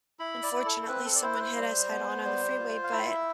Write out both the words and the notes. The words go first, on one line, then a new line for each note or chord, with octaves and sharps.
unfortunately, someone hit us head-on on the freeway, but
E4 B5
D5
E4
A4
A4
C4 B4
A4
D5
E4 C5
B4
C5
G3
B3
G3
F4
F5
E4 E5